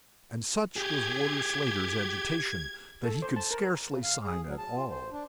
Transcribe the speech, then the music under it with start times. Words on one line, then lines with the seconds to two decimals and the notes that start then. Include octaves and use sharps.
And such was Warder Slater's agitation, that he could scarcely sign at all.
0.76 G4 G#4 G#6
3.04 A4
3.22 C5
3.36 A5
3.51 A#4
3.87 C#3
4.03 F5
4.25 G#4
4.46 F#3
4.58 A5
4.76 F4
4.90 C5
5.11 D4